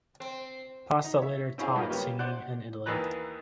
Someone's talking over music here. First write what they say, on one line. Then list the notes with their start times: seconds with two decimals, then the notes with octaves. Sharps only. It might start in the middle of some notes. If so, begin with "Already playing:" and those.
Pasta later taught singing in Italy.
0.20 C4
1.04 D#4
1.18 C#5 E5
1.58 C4 C#4 E4 G#4 F5
1.76 G2 C#3 F3 G3 A#3 D#4
1.90 G3 A#3 B3 C#4 F4 G4
2.19 C5 D5 F#5 F#6
2.86 D#2 D#3 E3 B4 A#5 F#6